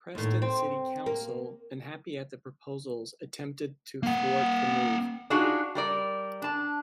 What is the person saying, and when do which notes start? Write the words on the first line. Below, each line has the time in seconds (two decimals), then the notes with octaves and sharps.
Preston City Council, unhappy at the proposals, attempted to thwart the move.
0.15 D#2 A2
0.42 C4
1.06 A#3
4.03 A#3 F#5
5.30 D4 D#4 F4 F#4 G#4
5.75 G3 A#4 D5
6.42 D4 A5